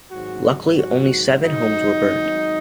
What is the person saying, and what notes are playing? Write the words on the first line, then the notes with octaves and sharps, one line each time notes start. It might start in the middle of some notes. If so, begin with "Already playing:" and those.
Luckily, only seven homes were burned.
G#1 G#2 F#3 F#4
F#4
D#4